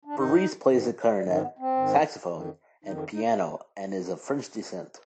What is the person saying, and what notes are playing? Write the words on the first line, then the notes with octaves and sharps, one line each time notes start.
Berresse plays the clarinet, saxophone and piano and is of French descent.
D4
G#2 D#3 D#4
G#2 D#3
G3
G#2 D#3 G#3
G#3
B3
C4
G#2 D#3
F2 D#3
F2 D#3 D#4
D#4